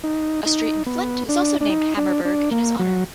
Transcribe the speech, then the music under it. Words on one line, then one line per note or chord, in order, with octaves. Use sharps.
A street in Flint is also named Hammerberg in his honor.
D#4
D#4
B3
D4
D4
D#4
D4
D4
A#3
F#3